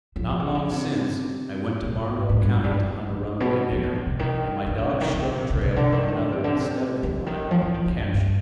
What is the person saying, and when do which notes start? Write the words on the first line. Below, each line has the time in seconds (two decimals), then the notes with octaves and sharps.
Not long since, I went to Barnwell county to hunt a runaway nigger, and my dogs struck trail of another instead of the one I wanted to capture.
0.16 F3
0.39 D#3
0.55 D3
0.71 C3
1.82 B2
2.05 G#2
2.29 G#2
2.41 G2
2.53 F2
2.64 G2
2.77 G2
3.09 F2
3.24 G2
3.40 B2
3.71 F3
3.83 D#3
3.95 C3
4.07 C3
4.19 D#3
4.66 D#3
4.78 D3
4.89 C3
5.01 D#3
5.13 D3
5.37 C3
5.50 D3
5.61 C3
5.76 D3
5.92 D#3
6.08 D3
6.32 C3
6.44 D3
6.55 C3
7.03 D3
7.26 D#3
7.51 F3
7.62 F3
7.74 D#3
7.86 D3
7.98 G2
8.14 G2